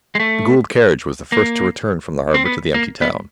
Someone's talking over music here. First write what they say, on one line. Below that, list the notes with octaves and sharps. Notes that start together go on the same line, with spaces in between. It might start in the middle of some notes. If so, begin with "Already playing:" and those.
The Gould carriage was the first to return from the harbour to the empty town.
G#3
A3
A#3
C4
B3
A#3
B3